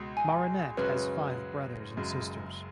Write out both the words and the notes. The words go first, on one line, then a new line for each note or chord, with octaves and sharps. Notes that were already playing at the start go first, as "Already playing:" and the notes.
Marinette has five brothers and sisters.
Already playing: C#2 B2 G#3
G#5
F#2 C#3 G#3 C#4 F#4 B4
F#1 F#2 C#3 G#3